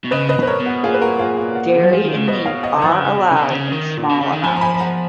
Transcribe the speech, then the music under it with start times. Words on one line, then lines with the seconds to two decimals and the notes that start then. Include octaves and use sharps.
Dairy and meat are allowed in small amounts.
0.04 B2
0.11 C#3 B4 D#5
0.29 B4 D#5
0.35 B2
0.43 B4
0.47 A#4 C#5
0.60 B2
0.66 F#4
0.84 A#2 F4 G#4
0.94 B4
1.01 F#4 A#4
1.19 F4 G#4
1.37 F#4
1.55 F#4
1.81 F#3
1.92 F3 F4 G#4
2.05 D#3
2.17 C#3
2.27 B2 B4 D#5
2.46 C#5 F5
2.63 D#5 F#5
2.82 F3 F#5 A#5
2.92 D#3
3.00 C#3
3.17 B2
3.31 C#3
3.36 B2
3.50 D#3
3.54 C#3
3.72 D#3
3.97 A#2
4.09 B2
4.21 C#3
4.32 D#3
4.43 F3 G#5 B5
4.56 A#5
4.61 G#5 B5
4.74 B5
4.79 F#5 A#5